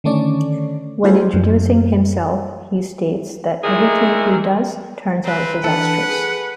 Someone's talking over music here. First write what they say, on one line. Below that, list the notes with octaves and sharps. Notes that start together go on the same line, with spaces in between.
When introducing himself, he states that everything he does turns out disastrous.
D3 D#3 A3 C#4 D5
A3 E4 F4 G4 G#4 C5
F#2
A#2 D#3 G#3 E4 G#4
C4 B4 A#5
E3 D4 A4 F#5
G#4